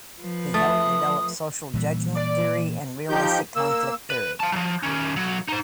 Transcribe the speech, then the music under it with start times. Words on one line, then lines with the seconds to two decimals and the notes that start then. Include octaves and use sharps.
He helped develop social judgment theory and realistic conflict theory.
0.20 F3 B4
0.54 A3 D#6
1.74 A#2 E3 G3
2.16 D5
3.09 F3 D#4 G4 G6
3.56 A#3 E6
4.10 B4
4.40 F5 A5
4.52 F3 F#3
4.83 D#3 C#4
5.16 B1 F#3
5.48 D#4 C5